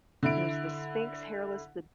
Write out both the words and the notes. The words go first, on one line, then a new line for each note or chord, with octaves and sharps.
there's the Sphinx hairless, the
D3 E4 D7